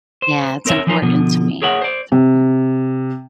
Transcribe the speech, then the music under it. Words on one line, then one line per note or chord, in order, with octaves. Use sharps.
Yeah, it's important to me, it's important.
C5
C4 A#4 C#5 E5
E3 F3 C#4 D#4 F4 A#4
B2 D3 F3
G#4 A#4 C#5 E5 F#5
C5 D5
C3